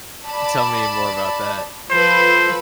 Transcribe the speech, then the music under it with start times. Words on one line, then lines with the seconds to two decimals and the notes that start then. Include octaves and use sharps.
Tell me more about that.
0.27 D5 A5 B5
1.90 F3 A4 B4 C5